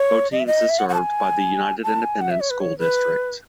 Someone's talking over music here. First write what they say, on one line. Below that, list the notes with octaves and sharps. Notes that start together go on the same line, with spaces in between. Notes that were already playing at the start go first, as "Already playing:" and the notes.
Botines is served by the United Independent School District.
Already playing: C#5
D#5
E5
D#5
E5
F#5
F#5
A5
G#5
A5
G#5
F#5
E5
C#5
B4
C#5
B4